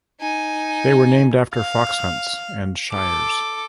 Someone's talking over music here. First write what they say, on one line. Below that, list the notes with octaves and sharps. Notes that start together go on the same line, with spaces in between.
They were named after fox hunts and shires.
D#4 G#5
F5
A4 D6